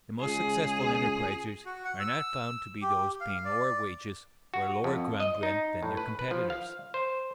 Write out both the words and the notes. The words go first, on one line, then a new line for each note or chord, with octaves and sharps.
The most successful enterprisers are not found to be those paying lower wages or lower ground-rent than their competitors.
C#2 G#4
F#4
F#5
E6
G4
F5
D5
F#4
F2
D#5
D#4
A2
B4
B4
F3
F5
C5